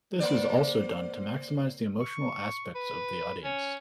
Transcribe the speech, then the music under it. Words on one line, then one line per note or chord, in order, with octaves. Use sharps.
This is also done to maximize the emotional aspects for the audience.
A#3 C4 D5
C#6
B4
C#4